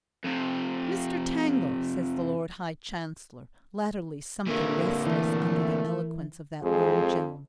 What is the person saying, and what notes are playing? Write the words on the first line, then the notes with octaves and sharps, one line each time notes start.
"Mr. Tangle," says the Lord High Chancellor, latterly something restless under the eloquence of that learned gentleman.
F2 C3
G2 A#2 D3 A3 A#3 A#4
E3 A3
F2 G#3 C4 G#4